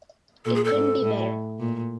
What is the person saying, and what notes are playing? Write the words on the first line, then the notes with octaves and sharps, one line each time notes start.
It couldn’t be better.
A#2 A4
G#4
A4
G#2
A2
A#2